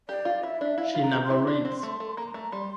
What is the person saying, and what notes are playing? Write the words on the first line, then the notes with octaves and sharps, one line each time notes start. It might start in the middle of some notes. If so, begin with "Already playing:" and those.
She never reads.
G4 D5
F4
E4 E5
D4
E4 F5
F4
A#5
G4
C6
E4
D4
C4
A3
A3
A#3 A#5 C6
A3
G3 C6